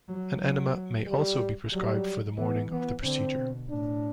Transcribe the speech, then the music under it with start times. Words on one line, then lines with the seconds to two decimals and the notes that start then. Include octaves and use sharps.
An enema may also be prescribed for the morning of the procedure.
0.08 F#3
0.40 F#3
1.06 G3
1.72 F#3 G3
2.38 E3 B3
2.70 E3 B3
3.03 D3 C4
3.36 B2
3.69 A2 D4